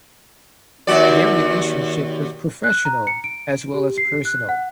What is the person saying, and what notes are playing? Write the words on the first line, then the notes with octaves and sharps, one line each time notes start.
Their relationship was professional as well as personal.
D#2 F#4 D5
F#6
A#5
C#7
D7
G4
C7
F#6
F#5